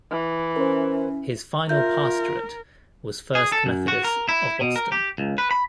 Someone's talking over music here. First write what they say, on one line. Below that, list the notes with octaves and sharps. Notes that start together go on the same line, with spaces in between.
His final pastorate was First Methodist of Boston.
E3
C#4 A#4 C5
F4 A#4 E5 G6
G#4
A4
F#2
F#4
A#4
E4
B2
A#4
G4
C#2
B4
B5